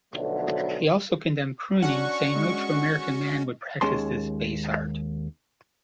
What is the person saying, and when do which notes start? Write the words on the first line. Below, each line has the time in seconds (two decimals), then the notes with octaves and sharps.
He also condemned crooning, saying, No true American man would practice this base art.
0.14 B1 B2 D3 F3 F#3 A3
1.82 C#4 D4 F#4 F#5 C#6
2.35 G#3
3.81 D#2 G#3 C#4 A5 C6